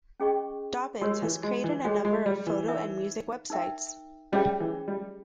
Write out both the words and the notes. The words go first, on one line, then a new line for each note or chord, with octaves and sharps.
Dobbins has created a number of photo and music web sites.
C#4 G#4 D#5 G5 C#6
G#3 G4 A#4 C#5
E3
G#3
E3
G#3 G#4 C#5 G#5
G#3
G3
E3
D#4 A#4 C#5 E5 G#5
D#4 A#4 E5 G5
G3 C#4 G#4 C#5 E5 G5
E3
G3